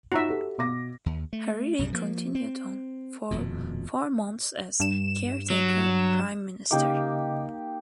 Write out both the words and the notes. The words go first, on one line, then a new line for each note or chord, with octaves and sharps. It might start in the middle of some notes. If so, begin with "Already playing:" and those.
Hariri continued on for four months as caretaker Prime Minister.
D#4 F4 F#4 E5 A#5
G4 A4
B2 D6 A#6
D#2
A3
B1 F#2 C#3 G3
F3 A#3
C4
D#1 F2 B2
G2 E7
F#3
C#3 A#3 D#4 G4 D#5 D6